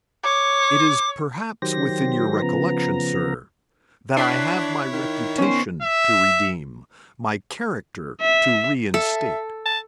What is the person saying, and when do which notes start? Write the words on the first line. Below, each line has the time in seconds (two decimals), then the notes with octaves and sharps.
"It is perhaps within your recollection, sir, that I have my reputation to redeem, my character to reinstate."
0.24 C#5 D6
1.62 D#3 F#3 G4 C5 A#6
2.42 C#3 F3 B3 A#5
4.17 D4 E4 C#5 F#6 B6 C7
4.93 D#3
5.38 B3 C#4 C5
5.82 E5
8.21 E5
8.94 A4 E5
9.66 A5